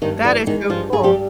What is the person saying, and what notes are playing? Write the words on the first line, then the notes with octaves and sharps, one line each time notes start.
That is so cool.
G2 D#3 D#4
D3 E3 D4
D#3 G#3 D#4
G2 F3 F4
G2 G#4
G3 G4